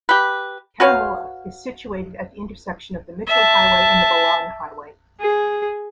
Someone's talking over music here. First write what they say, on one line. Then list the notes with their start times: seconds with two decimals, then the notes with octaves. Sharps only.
Cunnamulla is situated at the intersection of the Mitchell Highway and the Balonne Highway.
0.09 G4 B4
0.80 F#4 B4 C#5 F5
3.28 E5 A5
5.21 G#4